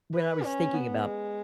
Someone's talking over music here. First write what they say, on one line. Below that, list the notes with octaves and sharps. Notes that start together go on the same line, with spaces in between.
when I was thinking about
B4
C#4
B3
G#3